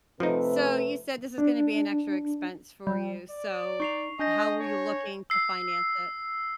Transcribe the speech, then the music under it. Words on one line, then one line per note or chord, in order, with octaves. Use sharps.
So you said this is gonna be an extra expense for you, so how were you looking to finance it?
C3 F3 A3 D#4 B4
D4
G3
D5
D#4 C#6 C7 F7
D4 D#5 G#5 G6 A#6
C#5
E6 C7